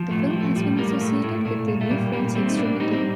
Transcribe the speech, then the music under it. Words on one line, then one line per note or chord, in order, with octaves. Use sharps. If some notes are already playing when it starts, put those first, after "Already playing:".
The film has been associated with the New French Extremity.
Already playing: F3
A2 A3
G3
F3
A3
A2 G3
A2 G3 A#3
A2 A3
A2
A#2 A3
A#2
A3
A#2 G3 A#3
A#2 G3 A#3
G3 A3 C4
D#4
A2 A#3 D4
G3 C4 D#4
C4